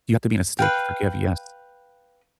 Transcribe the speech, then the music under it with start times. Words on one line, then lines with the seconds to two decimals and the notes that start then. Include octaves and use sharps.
you have to be in a state to forgive, yes.
0.59 B4 F5 G5